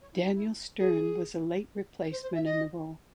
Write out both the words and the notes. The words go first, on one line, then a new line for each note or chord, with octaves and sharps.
Daniel Stern was a late replacement in the role.
C#5
E4
D#4
E4
G#4
C5
C5
E5
D#5